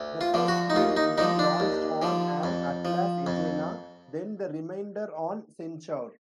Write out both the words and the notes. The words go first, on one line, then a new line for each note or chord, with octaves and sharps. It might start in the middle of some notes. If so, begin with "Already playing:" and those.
The first three would be launched on an Atlas-Agena, then the remainder on Centaur.
Already playing: D2
F4
D3 F3
F#4
D#4
D#2 F4
D#4
D3 F3 D#4
D4
D#2
D3 F3
F2
F3
F2